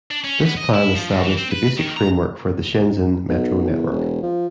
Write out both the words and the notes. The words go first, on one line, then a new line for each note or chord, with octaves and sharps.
This plan established the basic framework for the Shenzhen Metro network.
D4
C#4
B3
D#5
E4
F3
F2
E3
C4
B4
D#3
A#5
B1
E2
E1
F3